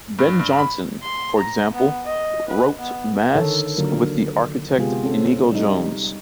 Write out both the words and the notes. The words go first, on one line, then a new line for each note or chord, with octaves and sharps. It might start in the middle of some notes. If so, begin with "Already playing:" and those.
Ben Jonson, for example, wrote masques with the architect Inigo Jones.
G2
G2
B5
C6
A#5
B3
D#5
B4
B3
D3 D#3 A4 A#4 C#5
D3 F#3 A#3 F4 A#4
C3 G#3 B3 F4 G4 G#4
C4 C#4 A4
G3 D#4